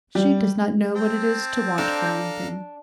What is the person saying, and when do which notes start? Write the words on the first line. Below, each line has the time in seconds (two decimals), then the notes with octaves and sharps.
"She does not know what it is to want for anything."
0.15 G3
0.96 C4 G5 A5
1.78 D4 A4 F5 A#5